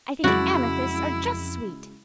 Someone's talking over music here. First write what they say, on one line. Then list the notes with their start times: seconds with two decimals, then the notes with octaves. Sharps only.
I think amethysts are just sweet.
0.24 F2 C#3 F#3 G#3 E4 F#4 D5